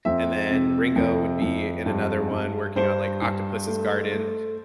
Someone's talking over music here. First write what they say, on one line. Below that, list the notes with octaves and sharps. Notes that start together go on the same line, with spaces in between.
and then Ringo would be in another one working on, like, “Octopus's Garden.”
F2 E5
C3
F2
F2
G2
G2
G2 C5
G2
A3
A3